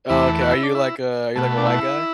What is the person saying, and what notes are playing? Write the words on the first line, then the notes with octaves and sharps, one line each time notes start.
Oh, okay. Are you like a are you like a white guy?
E2 E3 A3 E4
F#4
E4
D4
E4
B2 A3
D4
E4